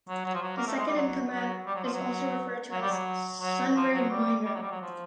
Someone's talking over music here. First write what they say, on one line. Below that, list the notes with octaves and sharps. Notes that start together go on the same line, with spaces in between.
The second-in-command is also referred to as "Sunray Minor".
F#3
F#3
F3
F#3
A#3
A3
G#3
G3
F#3
F#3
G3
F#3
F3
F#3
F#3
G3
F#3
F#3
F3
F#3
G3
G3
F#3
G3
F#3
F3